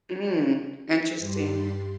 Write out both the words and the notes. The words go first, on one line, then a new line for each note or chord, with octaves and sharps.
Mm, interesting.
G2 G3 G4 C6